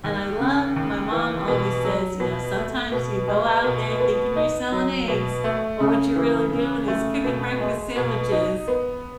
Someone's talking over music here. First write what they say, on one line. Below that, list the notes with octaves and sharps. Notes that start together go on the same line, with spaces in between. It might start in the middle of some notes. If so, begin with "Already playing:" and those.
and I love My mom always says, you know, "Sometimes you go out there thinking you're selling eggs, but what you're really doing is cooking breakfast sandwiches,"
D#2
C#3
D#2
E3
B2
F#3
B2
A3
B2
G#3
B2
B3
D#4
F#3
B2
A3
C#3
E3
C#3
A3
B2
G#3
B2
D#4
B3